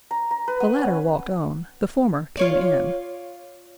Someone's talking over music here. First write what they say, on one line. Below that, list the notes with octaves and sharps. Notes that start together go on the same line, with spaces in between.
The latter walked on; the former came in.
A#5
A#5
B4
B3
C#4
F4 C#5 D5